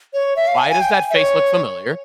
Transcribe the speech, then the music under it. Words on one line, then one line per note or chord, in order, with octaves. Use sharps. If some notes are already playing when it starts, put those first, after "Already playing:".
"Why does that face look familiar?"
C#5
E5
F5
G#5
G#5
G5
G#5
E5
C#5